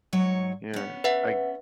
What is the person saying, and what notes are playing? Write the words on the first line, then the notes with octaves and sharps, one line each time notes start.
Yeah, I
G#2 F#3 C#5
B3 C#4
B4 E5 F#5